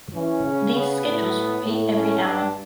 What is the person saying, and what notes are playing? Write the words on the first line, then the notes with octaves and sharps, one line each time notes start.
These schedules repeat every hour.
E3 C#4
C#3
C#3 B3
A2
A2
C#4
G2 D4